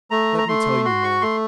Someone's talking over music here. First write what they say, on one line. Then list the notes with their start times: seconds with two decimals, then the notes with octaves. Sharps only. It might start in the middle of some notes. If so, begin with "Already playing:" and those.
Let me tell you more.
0.11 A3 A#5
0.38 A#5
0.48 A3 C6
0.85 F#4 C6
1.04 C#6
1.21 A3 C6